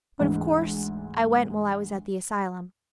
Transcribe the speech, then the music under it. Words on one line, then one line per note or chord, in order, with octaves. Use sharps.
But of course I went while I was at the asylum.
D2 G#2 E3